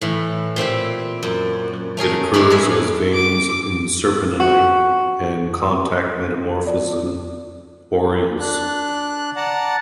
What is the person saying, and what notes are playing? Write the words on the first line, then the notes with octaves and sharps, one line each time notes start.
It occurs as veins in serpentinite and contact metamorphism aureoles.
A2 E3
A#2 C4 E4 G4
F#2
A3 C#4 G#4 A#4
A2 G#3 C#4 E4 A#4 B5
D4 G#4 B4 C#5
D6
F#4
D5
D4 F#6
D5 F#5 A5 A#5